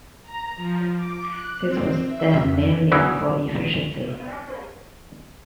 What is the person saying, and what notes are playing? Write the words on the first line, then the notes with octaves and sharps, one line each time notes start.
This was done mainly for efficiency.
A#5
F3
D6
F#6
C4
E5
F2
E2 C#3 E3 F#3